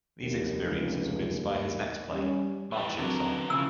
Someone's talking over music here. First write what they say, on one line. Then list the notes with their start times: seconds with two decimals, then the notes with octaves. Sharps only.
These experiences would inspire his next play, "Marching Song".
0.22 F1 D#2
0.65 C#2
1.34 D#2
2.11 G3 C#4
2.73 E3 G3
2.98 D3 F#3 B3 C4 A#4
3.50 C#3 E3 F3 C#4 G#4 E6